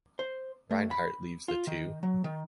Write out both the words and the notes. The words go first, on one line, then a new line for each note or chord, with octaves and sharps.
Reinhardt leaves the two.
C5
A3
B5
F4
D#3
F#3
D#3